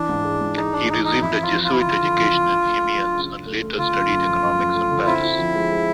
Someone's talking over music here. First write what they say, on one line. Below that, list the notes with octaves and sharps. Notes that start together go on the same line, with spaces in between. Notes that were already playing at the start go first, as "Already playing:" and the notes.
He received a Jesuit education in Amiens and later studied economics in Paris.
Already playing: E3 D4
G#2
G#3
G#2
G#3 D#4
G#3 D4
E3 D#4
E3 D#4
F2 E4
F3
F4
F3
F4
F2 E4
F4
D3
D3
F2
D3
D4
A3
D4
F#3
C#3
C#3
A3
A3
D3 F4
F#2
F#2
F3
F#2
F#2
A3
D3
C4 E4
F4
F3
G#3
G#3